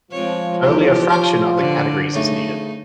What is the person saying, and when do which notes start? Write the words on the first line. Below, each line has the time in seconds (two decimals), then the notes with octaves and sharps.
Only a fraction of the categories is needed.
0.12 F3 G#3 C4 C#5
0.64 B1 E2 G4
1.09 C#4 C5
1.57 D3
2.14 C#3 A3 D#4